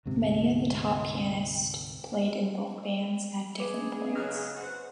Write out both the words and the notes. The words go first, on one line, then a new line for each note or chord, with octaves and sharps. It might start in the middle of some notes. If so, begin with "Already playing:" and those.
Many of the top pianists played in both bands at different points.
D2 G#2 C3
G#4 B4 D6
C#3 F#3 D#5 F6
F#4 C5 F#5